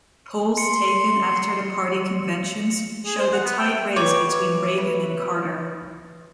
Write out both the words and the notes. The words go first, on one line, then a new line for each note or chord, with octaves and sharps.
Polls taken after the party conventions showed a tied race between Reagan and Carter.
C6 C#7
G#4
C5
F#5
B3
G5
E3 B3 C#5 D6
B4